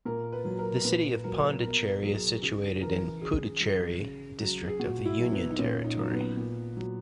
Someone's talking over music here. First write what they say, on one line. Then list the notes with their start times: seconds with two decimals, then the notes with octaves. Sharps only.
The city of Pondicherry is situated in Puducherry district of the union territory.
0.05 A#2 A#4
0.32 B4
0.45 F#3
0.59 A#4
0.84 A#2 B4
1.24 F#3 A#4
1.63 B2 A#4
2.03 F#3 G#4
2.42 C#3 G#4
2.82 E3 A#4
3.21 C#3 G#4
3.60 F#3
4.01 C#3
4.40 F#3
4.68 G#4
4.80 A#2 F#4
5.05 E4
5.19 F#3
5.32 B3
5.49 D#4
5.59 A#2 C#4
5.84 D#4
5.97 F#3
6.12 B3
6.37 A#2
6.77 F#3